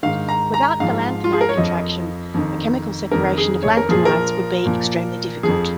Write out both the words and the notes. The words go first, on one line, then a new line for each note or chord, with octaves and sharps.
Without the lanthanide contraction, a chemical separation of lanthanides would be extremely difficult.
G#2 D#3 F5
A#5
A#5
G#2 F3 F5
F4
G#4
A#4
C#5
F2 F3 D#5
F2 D#3
F2 D#3 A#4
G#4
C#5
A#4
A#2 F3 G#4
A#4
A#2 F3
F2 F3 G#4